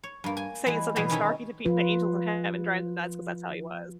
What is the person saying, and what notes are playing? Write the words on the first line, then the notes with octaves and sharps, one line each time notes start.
saying something snarky to p the angels in heaven, driving them nuts, 'cause that's how he was.
C#5
G2 A#3
G#5
E3 G3 G#3 B3
B2 E3 G3 B3 G4 G#4
D#3 G3 A3 C#4 D#4 E4
F3 F4 B4